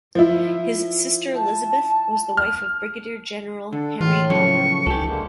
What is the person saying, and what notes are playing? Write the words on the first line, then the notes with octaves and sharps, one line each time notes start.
His sister Elizabeth was the wife of Brigadier General Henry Albert Reed.
F3 E4
A5
F6
D3 D4 A4
D2 A2 E3 F4
C#3 F3 F#3 A4 C#6
C#2 E3 G4 A4
D3 G#3 A#3